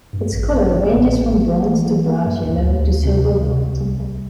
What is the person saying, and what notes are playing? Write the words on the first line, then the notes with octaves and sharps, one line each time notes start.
Its color ranges from bronze to brass yellow to silver white.
G2
A1
G2
D3
A1
A1
A#3
A#3
E3
E3
A#3
G2
D2
D2
D2
C3
D2
C3
C2
G3
G3